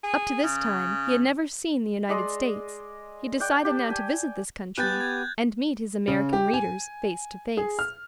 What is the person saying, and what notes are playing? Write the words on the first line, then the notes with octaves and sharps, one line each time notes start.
Up to this time he had never seen the United States; he decided now to visit this country and meet his American readers face to face.
G#4
C#3
G#3 D5 D#5 C6
D5 F#5 G5
G4 A5
G5 G#5
B3 G4 G#5 F#6 G6 A6
G#6
C#3
G4
G#5
G#4
F6